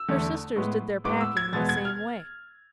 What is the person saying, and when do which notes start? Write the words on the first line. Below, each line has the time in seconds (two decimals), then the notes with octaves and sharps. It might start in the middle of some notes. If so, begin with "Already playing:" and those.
Her sisters did their packing in the same way.
Already playing: E6
0.08 E2 D3 A3
0.56 A2 G#3 B3
1.04 A2 G#3 B3 D6
1.21 E6
1.37 G#6
1.52 E2 B2 G#3 B3 A6
1.69 G#6
1.85 F6